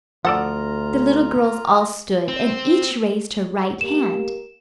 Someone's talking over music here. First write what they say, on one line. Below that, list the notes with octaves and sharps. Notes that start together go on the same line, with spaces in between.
The little girls all stood, and each raised her right hand.
D2 F3 F4 A4 D5 F#5 A#5
C4
A#3 G4 E7